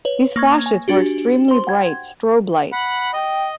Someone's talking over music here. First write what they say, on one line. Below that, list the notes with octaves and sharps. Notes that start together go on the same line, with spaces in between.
These flashes were extremely bright strobe lights.
B4 C#5
A#3 C#6 G#6
G#5
D4 F#4 G4
C5 C6
F#5 G5 G#6
F#5 B5
D#5 G5